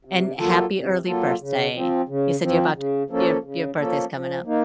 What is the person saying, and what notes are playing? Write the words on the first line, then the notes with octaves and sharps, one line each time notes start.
And happy early birthday. You said you're about t your your birthday's coming up.
C3
F#3 A#3 F4 A4
C3
F#3 A#3 F4 A4
C#3
F3 C4
C#3
F3 C4
C#3
F3 A#3 C#4 A4
C#3
F3 A#3 C#4 A4
F3
A#3 D#4